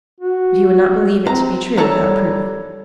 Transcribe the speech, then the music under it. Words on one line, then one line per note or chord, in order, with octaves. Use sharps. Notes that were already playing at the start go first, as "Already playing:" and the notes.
But he would not believe it to be true without proof.
F#4
C4 A#5
G3 A4 C#5 A#5